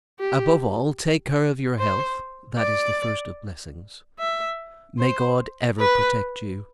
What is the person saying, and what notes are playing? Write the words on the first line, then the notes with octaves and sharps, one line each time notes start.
Above all, take care of your health; that is the first of blessings. May God ever protect you!
G4
C5
D5
E5
C5
B4